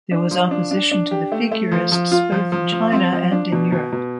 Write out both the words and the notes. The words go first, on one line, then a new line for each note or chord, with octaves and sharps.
There was opposition to the Figurists both in China and in Europe.
D4
F3
D4
D4
D4
G4
A3
A3
F3
F3
F4
F3
F3
F3
C4
F3
D4
B2
B2
B2